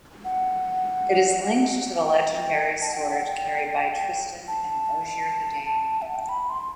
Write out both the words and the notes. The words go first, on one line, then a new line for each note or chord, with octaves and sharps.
It is linked to the legendary sword carried by Tristan and Ogier the Dane.
F#5
G5
A5
F#5
G5
F#5
G5
A5
E5
F#5
G5
A5
B5
C6